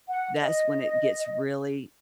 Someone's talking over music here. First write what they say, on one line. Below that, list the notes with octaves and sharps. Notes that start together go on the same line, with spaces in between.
that's when it gets really
F#5
D#5